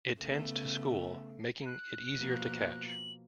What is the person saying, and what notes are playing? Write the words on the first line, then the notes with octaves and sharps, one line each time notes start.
It tends to school, making it easier to catch.
C#3 A3 B3
F#6
B2 F3 A#3
F#7